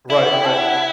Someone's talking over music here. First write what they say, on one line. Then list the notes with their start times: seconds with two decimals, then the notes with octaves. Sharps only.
Right, right.
0.09 E4 D5
0.21 F#5
0.33 G5
0.45 A5
0.56 F#5